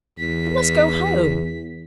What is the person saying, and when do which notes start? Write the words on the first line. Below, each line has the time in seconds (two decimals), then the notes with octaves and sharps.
I must go home.'
0.19 E2 B6